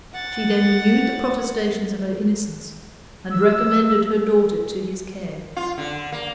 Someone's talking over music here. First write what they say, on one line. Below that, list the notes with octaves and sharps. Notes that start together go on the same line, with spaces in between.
She then renewed the protestations of her innocence, and recommended her daughter to his care.
F#5 A6
E6
F4
D3
A#3